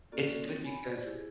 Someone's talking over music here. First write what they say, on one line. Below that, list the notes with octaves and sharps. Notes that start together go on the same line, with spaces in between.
it's good because
A#3 C#4 F4 F#4 A4 D5
C4 D#4 C#5
G#5 B5
C5 D5
E4 G4 G#4